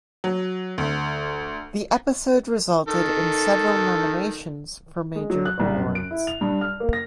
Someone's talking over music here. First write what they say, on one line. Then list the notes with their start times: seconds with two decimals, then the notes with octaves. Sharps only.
The episode resulted in several nominations for major awards.
0.24 F#3
0.78 D2
2.88 D#3 A4
5.15 G#3
5.30 F#3
5.45 F#6
5.60 C2
5.76 F#2
5.95 D7
6.11 E4
6.27 F7
6.41 G2
6.61 F6
6.80 A#3
6.93 A#6